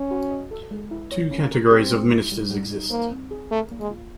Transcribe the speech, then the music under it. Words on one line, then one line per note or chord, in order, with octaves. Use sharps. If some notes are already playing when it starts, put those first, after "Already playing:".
Two categories of ministers exist.
Already playing: C#4
F#4
D#5
A4
G#3
E4
C#5
C#4
A#4
C4 G4
G#3
E4
G3
G3
D#4
A#3 C5
C4
G#4
A3 A#4
A#3
G#3
F4